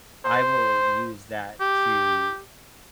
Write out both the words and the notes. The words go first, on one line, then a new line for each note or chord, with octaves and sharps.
I will use that to
C5
G4